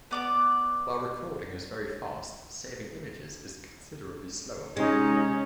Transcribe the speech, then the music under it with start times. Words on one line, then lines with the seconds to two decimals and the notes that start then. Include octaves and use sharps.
While recording is very fast, saving images is considerably slower.
0.11 B3 D5 D6
4.77 C3 G#3 C#4 D#4 C#5